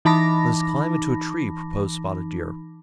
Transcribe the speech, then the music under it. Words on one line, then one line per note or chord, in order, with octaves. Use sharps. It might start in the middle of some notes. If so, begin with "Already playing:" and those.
"Let us climb into a tree," proposed Spotted Deer.
E3 D#4 A5 B5 D6 A#6